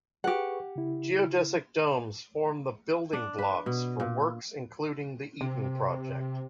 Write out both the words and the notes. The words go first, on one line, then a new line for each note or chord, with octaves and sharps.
Geodesic domes form the building blocks for works including The Eden Project.
G4 G#4 B4 F#5 C#6
C#3 E4
D4
B4
B2
A#2
C3